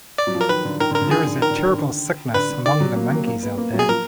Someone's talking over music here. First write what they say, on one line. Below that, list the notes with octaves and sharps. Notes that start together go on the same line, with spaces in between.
There is a terrible sickness among the monkeys out there.
D5
F#3
F3
A#4
D#3 B4
D3
D#3 A#4
D3
A#4
D3
F3
D#3 G#4
D3
D#3 A#4
D3
D#3
D3
D3 B4
D3
D#3 D5
F#3
A#3
A#3
A#3
B3
A#3
F#3
G#4
F3 A#4